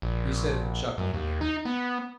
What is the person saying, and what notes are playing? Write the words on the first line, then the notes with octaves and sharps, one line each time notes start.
He said it chucklingly.
A#1
F#2
D#2
D#4
B3